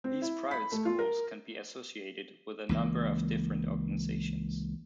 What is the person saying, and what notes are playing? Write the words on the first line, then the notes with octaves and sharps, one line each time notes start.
These private schools can be associated with a number of different organizations.
C4
E4
B5
A3
F4
A#4
C#2 E3 A#3